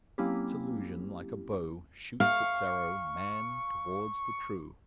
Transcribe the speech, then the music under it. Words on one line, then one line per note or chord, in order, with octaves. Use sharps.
Disillusion, like a bow, shoots its arrow, man, towards the True.
F#3 A#3 C4 C#4 E4 G4
F5 C#6